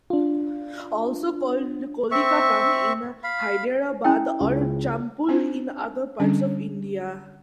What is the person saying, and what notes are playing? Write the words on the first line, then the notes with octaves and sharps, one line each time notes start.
Also called "Koli kaDam" in Hyderabad, or "Champul" in other parts of India.
D4 F4
C4 E5 C#6
F5 B5
C#4 E4 G5
C#2
C4 D4 D#4 F4 C5
D3 G3 C#4 D4